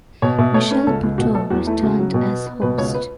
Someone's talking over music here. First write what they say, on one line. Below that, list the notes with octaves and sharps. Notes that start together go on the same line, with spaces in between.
Michelle Buteau returned as host.
B2 C#5
B2 E5
A3 C#5
C#4 B4
C#2 A4
C#2
B2 F#4
A3 A4
E2 F#4
A3 E4
C#3 F#4
F#3
B2
B3
B3 B4
B2 B4
C#2 C#5
B4